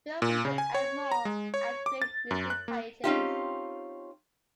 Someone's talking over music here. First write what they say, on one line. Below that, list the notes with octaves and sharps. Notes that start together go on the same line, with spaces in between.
Feel free to add more, and create missing pages.
A#2
C#3
G#5
C#5
A#5
G#3
C#5
D6
A6
F#2
F#6
A#3
C4 C#4 D#4 F4 G4